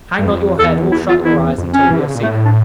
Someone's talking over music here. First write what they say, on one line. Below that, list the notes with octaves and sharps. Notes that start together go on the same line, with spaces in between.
Hang not your head or shut your eyes until we have seen it.
G2
F2
E2 A4
E2 E4
F4
E4
F2
C#4
E3
D3
C#3
A#2
A2 A3
D4